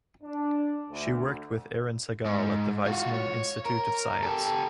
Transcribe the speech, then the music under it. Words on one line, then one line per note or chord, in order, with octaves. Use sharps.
She worked with Eran Segal at the Weizmann Institute of Science.
D4
D2
G#2
F4 F#4
C#5
A#4
G4 A4